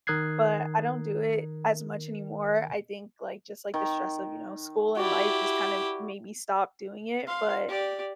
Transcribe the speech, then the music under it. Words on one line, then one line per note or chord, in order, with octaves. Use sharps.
but I don't do it as much anymore. I think, like, just, like, the stress of, you know, school and life, just kind of, made me stop doing it, but
D#3 A#4 D#6 F#6 G#6 C7
D#3
E4 F#4 G4 D5
F5 C6
G4 D5